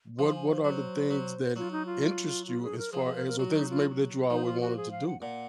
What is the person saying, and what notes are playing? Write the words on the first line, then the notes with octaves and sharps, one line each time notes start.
what what are the things that'll interest you as far as or things maybe that you always wanted to do?
F3 C6
G#5
C5
F#3 C5
F#3
F#3 F4
D#4
F4
F4
G#4
A#4
F3 G#4
G#4
A#4
A#4
F#3 F#4
D#4
F4
F3 D#4
F4
F#4
G#4
F5
F#5
A#2 F#5